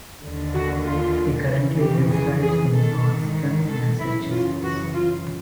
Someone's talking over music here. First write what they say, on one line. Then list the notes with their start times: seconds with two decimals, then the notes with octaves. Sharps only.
He currently resides in Boston, Massachusetts.
0.23 D#2 D3
0.54 F#4
0.86 F4
1.48 F2 C#3 E3
1.79 G4
2.11 G#4
2.42 G#4
2.74 G#2 D#3 A4
3.68 A4
3.99 F#2 C#3 E3 E4
4.31 F4
4.62 F#4
4.93 F4